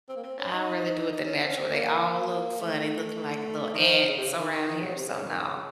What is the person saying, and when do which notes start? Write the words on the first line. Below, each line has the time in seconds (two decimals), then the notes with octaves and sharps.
I'd rather do it the natural they all look funny looking like little ants around here, so, no.
0.09 C4
0.17 A#3
0.24 C4
0.38 C#4
0.53 D#4
1.13 D#4
1.26 C#4
1.42 C4
1.50 C#4
1.57 C4
1.72 A#3
2.60 A3
3.74 D#3
3.78 F3
4.08 C#3
4.17 C3
4.27 C#3
4.37 D#3
4.52 D#3
4.68 D#3
4.82 F#3
4.96 C3
5.06 C#3
5.17 C#3
5.25 D#3
5.41 C#3
5.55 C#3